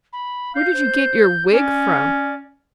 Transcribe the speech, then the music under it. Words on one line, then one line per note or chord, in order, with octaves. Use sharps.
Where did you get your wig from?
B5
F5 G6
C5
C#4 D5